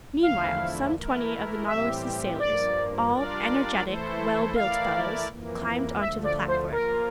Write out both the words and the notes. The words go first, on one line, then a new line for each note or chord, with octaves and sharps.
Meanwhile some twenty of the Nautilus's sailors--all energetic, well-built fellows--climbed onto the platform.
E2 D3 F3 A3 E4 F5
E3 A3 E4 A#4
A2 E3 G3 C4 G4 E5
G2 F3 A#3 D5
G3 D4 F4 A#4 D5
E3 A3 E4 A4 C5
E3 A3 E4 A#4 D5 F5
F2 E3 A#3
D2 D3 F3 A3 E5
D5
C5
F3 A#3 F4 A#4